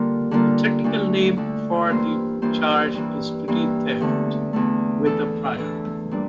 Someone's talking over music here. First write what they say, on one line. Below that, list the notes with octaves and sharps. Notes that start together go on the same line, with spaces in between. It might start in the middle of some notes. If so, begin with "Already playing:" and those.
The technical name for the charge is petty theft with a prior.
Already playing: D3 G3 A#3 F4 A#4
D3 G3 A#3 F4 A#4
D2 D3 A3
D2 D3 A3
G2 E3 A#3 F4 C5
G2 E3 A#3 F4 C5
G2 E3 A#3
G2 E3 A#3
E2 D3 A3
E2 D3 A3
E3 A3 D4 A4
E3 A3 D4 A4
A#2 G3 D4